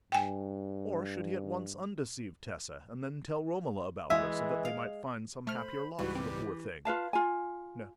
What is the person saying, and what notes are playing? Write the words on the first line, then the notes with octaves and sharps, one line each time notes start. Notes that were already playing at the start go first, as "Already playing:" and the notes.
Or, should he at once undeceive Tessa, and then tell Romola about her, so that they might find some happier lot for the poor thing?
G2 G5 G#5
E3 G#3 E5
F5
A3 C5 B5 F6
C#2 G#2 E3 G3 F#4 B4
C4 G4
F4 B4 F5 A5
F4 G#5